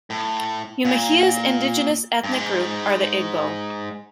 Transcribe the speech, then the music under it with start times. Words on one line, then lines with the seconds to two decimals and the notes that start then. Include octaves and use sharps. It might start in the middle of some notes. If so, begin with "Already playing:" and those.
Umuahia's indigenous ethnic group are the Igbo.
0.10 A2
0.85 A#2
2.23 G2
2.33 G#2